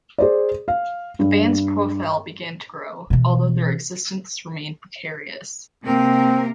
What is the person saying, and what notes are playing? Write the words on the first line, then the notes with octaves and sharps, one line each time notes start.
The band's profile began to grow, although their existence remained precarious.
G#4 C5 D5
F5
G2
B2 E3
C3 A#3 C4 A#4